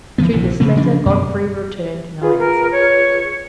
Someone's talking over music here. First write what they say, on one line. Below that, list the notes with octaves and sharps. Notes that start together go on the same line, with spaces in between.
To this letter Godfrey returned no answer.
E3 F3 B3
A#1 C3 E3
C#3 A3 C4
C#3 F3 D4
F#2 B2
F4 G#4 B4
A#4
C#5